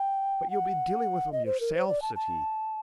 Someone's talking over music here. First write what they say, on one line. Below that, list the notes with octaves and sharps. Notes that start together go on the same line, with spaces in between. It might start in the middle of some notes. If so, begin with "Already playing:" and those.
"But you'll be dealing with him yourself!" said he.
Already playing: G5
F#5
D#5
C5
A#4
C5
D5
A5
A5